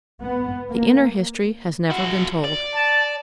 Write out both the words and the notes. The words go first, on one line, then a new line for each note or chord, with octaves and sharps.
The inner history has never been told.
B3
A#3
E4 F#4
D5
A5